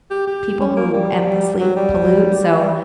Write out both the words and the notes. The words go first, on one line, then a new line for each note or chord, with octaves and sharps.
people who endlessly pollute, so
G4
G4
C#4
A#3
G3
F#3
G3
G3